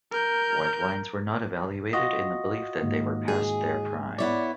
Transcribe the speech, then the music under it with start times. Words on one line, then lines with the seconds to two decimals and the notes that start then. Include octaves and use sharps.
White wines were not evaluated in the belief that they were past their prime.
0.11 A#4 G6
1.93 F4 F#4 D#5
2.82 D#2 G#2
3.28 G#4
4.19 B3 E4 C#5 D5